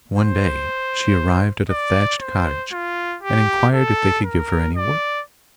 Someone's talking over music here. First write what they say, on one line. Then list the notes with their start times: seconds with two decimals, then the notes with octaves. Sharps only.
One day she arrived at a thatched cottage, and inquired if they could give her any work.
0.18 C5
1.70 D5
2.21 C5
2.72 F4
3.23 G4
3.74 A4
4.25 A#4
4.76 D5